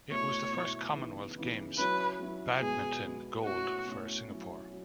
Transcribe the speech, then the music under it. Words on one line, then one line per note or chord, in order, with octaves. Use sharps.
It was the first Commonwealth Games badminton gold for Singapore.
B2 A3 E4 C#5
B2 A3 E4
C#3 E3 B3 D#4
C#3 E3 B3 D#4
F#3 C#4 E4 B4
F#3 C#4 E4
B2 G#3 B3 G#4
B2 G#3 B3
B2 A3 C#4 E4 F#4
B2 A3 C#4 E4
F#3 C#4 E4
F#3